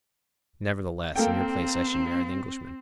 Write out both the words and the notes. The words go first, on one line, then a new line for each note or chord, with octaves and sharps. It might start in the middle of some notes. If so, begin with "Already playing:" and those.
"Nevertheless, in your place I should marry the Englishman."
A#3 C4 A4 G5